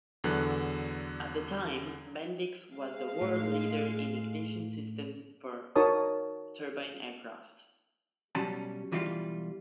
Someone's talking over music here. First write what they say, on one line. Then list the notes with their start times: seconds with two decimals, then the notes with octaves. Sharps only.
At the time, Bendix was the world leader in ignition systems for turbine aircraft.
0.24 E2 D3 F#3 B3 A4 F#6
2.74 G#3 F5
3.21 A2
5.76 D#4 F#4 A#4 C#5 A5 D#6
8.35 B2 F#3 G3 C#4 A5
8.92 B1 E3 G3 F4 D5 F5